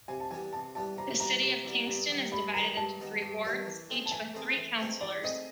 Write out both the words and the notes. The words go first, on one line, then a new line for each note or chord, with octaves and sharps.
The City of Kingston is divided into three wards, each with three councillors.
C3 G#5
A5
E3 G3 B3 G#5
C3 A5
E3 G3 B3 A5
C3 A#5
E3 G3 B3 A#5
C3
E3 G3 B3
G2
D#3 G3 B3 D#4
G2 B5
D#3 G3 B3 D#4 A#5
G2 A5
D#3 G3 B3 D#4
G2
D#3 G3 B3 D#4
E3
A3 C4 D#4 G#4
A5
E3 G#5
A3 C4 D#4 G#4
E3
A3 C4 D#4 G#4
E3 D5
A3 C4 D#4 G#4 D#5